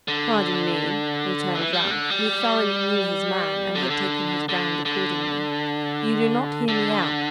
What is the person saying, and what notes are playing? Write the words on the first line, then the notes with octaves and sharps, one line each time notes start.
'Pardon me,' returned Ralph, who thoroughly knew his man, and had taken his ground accordingly; 'you do not hear me out.
D3
E3
G3
D3
G3
D3
C3
D3
D3
D3
D3